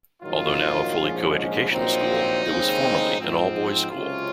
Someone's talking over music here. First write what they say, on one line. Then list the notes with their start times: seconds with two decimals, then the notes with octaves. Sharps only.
Although now a fully co-educational school, it was formerly an all-boys school.
0.23 A#1 G#2 D#3 F#3 F4
0.97 A#1 G#2 F3 G#3 C#4
1.70 A#1 A#2 F#3 C4 D#4
2.44 D#2 C#3 G#3 C4
3.17 G#2 F3 C4
3.90 C#2 C3 F#3 C#4 F4